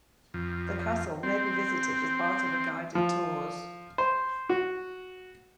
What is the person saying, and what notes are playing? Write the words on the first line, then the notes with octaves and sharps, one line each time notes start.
The castle may be visited as part of a guided tours.
F2
C4
F3
C5
F#4